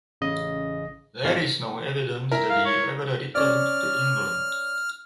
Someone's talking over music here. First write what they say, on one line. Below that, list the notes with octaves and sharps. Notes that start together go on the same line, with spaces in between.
There is no evidence that he ever returned to England.
A1 C#3 D#5
G#1 E3 G#3 F5
E4 A#4
F5
C#5
C#4 D5 F6